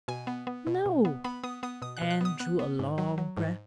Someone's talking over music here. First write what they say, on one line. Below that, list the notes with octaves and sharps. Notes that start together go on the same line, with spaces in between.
"No." Anne drew a long breath.
B2 G#5
B3
B3
B2
B2
B3
B3 B5
B3 D#6
B3 D#6
B2 D#6
B2 F#6
F#6
B3 D#6
B3 F#6
B3
G#2
F#3
F#3
G#2